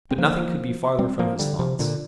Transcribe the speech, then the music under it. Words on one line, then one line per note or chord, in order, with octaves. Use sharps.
But nothing could be farther from his thoughts.
C4
F3 A#3
G3 C4
F3 A#3
D3 G3
C3 F3
A#2 D3